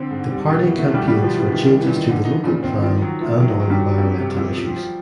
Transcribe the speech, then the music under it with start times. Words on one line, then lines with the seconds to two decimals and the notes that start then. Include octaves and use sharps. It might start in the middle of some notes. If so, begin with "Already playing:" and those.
The party campaigns for changes to the Local Plan and on environmental issues.
Already playing: D3 C4
0.11 G#2
0.30 G3
0.49 B2 D#3
0.64 E3
0.70 B2
0.79 A3
0.89 B2
0.94 G3
1.08 B2 G3
1.23 B2 F3
1.37 E3
1.46 D#3 G#3
1.66 D#3 G3
1.80 E3
1.86 A#2
1.95 D#3
2.05 D3 D#4
2.25 D#4
2.43 A#2 C#3
2.63 D#3 C4
2.82 D#3 F3
3.02 D#3 F#3
3.21 F3 A3
3.40 D#3 F#3
3.60 D#3 F#3
3.70 G3
3.79 F#3
3.98 F2
4.18 C3
4.37 F2
4.57 F3
4.76 F3